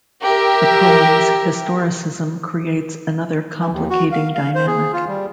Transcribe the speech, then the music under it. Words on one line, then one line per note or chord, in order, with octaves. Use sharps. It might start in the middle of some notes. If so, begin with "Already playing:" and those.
The poem's historicism creates another complicating dynamic.
G4 A#4 E5
E3
D#2
F#4
F5
F5
C5
G#4
F4
G3